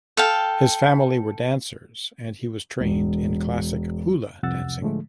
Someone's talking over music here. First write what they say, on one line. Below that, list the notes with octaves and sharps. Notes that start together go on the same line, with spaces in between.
His family were dancers and he was trained in classic hula dancing.
A4 F5 G5
E1
C2 F2 C3 F#5 E6 A6
A2 D3 F3 G#3 A3